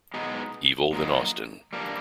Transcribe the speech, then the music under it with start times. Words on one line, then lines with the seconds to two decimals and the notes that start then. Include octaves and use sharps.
Evil than Austin.
0.14 B2 G#3 B3 D#4
0.93 A#2 F#3 A#3 D#4
1.73 G3 A#3 D4